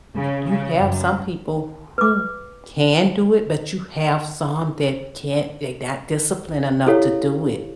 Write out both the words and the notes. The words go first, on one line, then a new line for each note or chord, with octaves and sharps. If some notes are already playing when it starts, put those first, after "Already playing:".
you have some people who can do it, but you have some that can't, they not disciplined enough to do it.
C#3
C#3
F#2
B4 D6
E4 G4 A4 C#5 F5